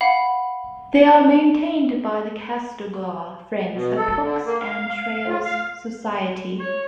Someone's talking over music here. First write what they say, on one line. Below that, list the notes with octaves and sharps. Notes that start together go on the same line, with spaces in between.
They are maintained by the Castlegar Friends of Parks and Trails Society.
F5 F#5 B5
B2
A4
D3
A#3
F5
F4
F5
C#5